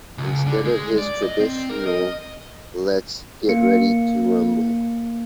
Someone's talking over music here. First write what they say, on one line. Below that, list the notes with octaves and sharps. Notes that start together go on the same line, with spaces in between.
Instead of his traditional Let's get ready to rumble!
C#2
D3
G#3
D5
D#5
C4
A#4
D#5
A#3 C#7